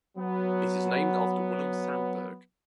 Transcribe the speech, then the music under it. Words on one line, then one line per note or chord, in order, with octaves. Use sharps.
It is named after Willem Sandberg.
F#3 B3